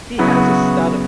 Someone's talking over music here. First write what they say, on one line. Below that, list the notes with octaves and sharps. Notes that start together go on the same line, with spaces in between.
He has a stutter.
C#3 F#3 B3 E4 F#4